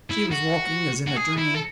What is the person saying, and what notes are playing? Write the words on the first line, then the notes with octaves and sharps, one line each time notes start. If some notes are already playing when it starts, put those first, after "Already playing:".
She was walking as in a dream.
E4
F#4
F#4
G#4
E4
A4